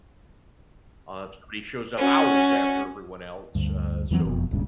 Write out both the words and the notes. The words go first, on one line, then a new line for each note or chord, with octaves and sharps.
uh, if somebody shows up hours after everyone else, uh, so
C#4 F#4
D2 G2
E2 E3 F#3 C4
E1 F2 B2
D#1 C#2 G2 C#3